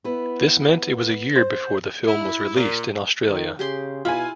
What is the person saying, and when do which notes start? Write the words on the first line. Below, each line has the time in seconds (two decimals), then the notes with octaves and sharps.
This meant it was a year before the film was released in Australia.
0.04 B3 E4 B4
1.35 C5
2.06 E4
2.55 A#2
3.26 D#3
3.59 C#3 G4 G#4 C6
4.05 B2 E4 F4 G#5 B5